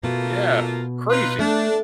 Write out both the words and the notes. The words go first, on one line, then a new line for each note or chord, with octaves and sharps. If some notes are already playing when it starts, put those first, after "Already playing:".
Yeah, crazy.
B2 A3 A#3 F4
D#4 F4 B4
A3 D4